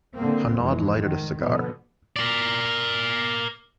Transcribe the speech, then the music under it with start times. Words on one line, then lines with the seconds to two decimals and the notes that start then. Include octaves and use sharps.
Hanaud lighted a cigar.
0.16 D3 A#3 C4
0.57 F1 F2 E3 G#3
0.99 G#2 D#3
1.41 B2 D3 F3 B3
2.16 A#4 D5